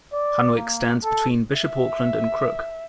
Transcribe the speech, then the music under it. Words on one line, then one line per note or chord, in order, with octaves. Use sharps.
Hunwick stands between Bishop Auckland and Crook.
D5
A#3
A4
E5